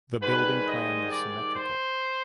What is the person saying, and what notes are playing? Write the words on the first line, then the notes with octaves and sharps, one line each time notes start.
The building plan is symmetrical.
G#2 D#3 G3 B4
D#5
D5
C5